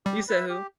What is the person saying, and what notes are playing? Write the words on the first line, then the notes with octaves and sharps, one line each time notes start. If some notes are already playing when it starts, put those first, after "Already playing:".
You said who?
G3 G4
B4 E5
G4